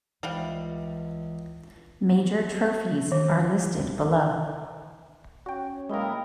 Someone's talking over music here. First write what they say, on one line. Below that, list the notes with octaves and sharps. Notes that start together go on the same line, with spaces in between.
Major trophies are listed below.
C#2 E3 G3 C5 F5 F#5
D#3
C#4 F#4 C#5 G5
B1 G#3 A#3 E4 A#4 G5 B5 D#6